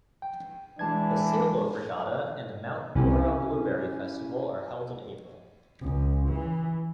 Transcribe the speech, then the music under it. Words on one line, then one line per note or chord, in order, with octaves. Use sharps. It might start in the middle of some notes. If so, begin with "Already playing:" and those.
The Sailboat Regatta and Mount Dora Blueberry Festival are held in April.
G5
E3 G#3 D4 A5 G#6
C2 C4 C#4 E4 G4
C#2
E3